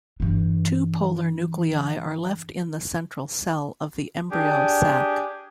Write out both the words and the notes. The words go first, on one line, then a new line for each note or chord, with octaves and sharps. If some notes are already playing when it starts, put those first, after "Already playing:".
Two polar nuclei are left in the central cell of the embryo sac.
G2 E3
D4 G4 G#4